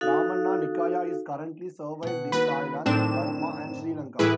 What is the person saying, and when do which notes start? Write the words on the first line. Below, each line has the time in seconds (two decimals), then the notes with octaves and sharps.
Ramanna Nikaya is currently survived in Thailand, Burma and Sri Lanka.
0.01 D#4 F#4 A4 F5
2.03 B2 F#5
2.32 D#2 F#4 B4
2.86 F#2 A2 D#3 C4 D4 E7
4.19 A2 E3 A3 E4 G#4 B4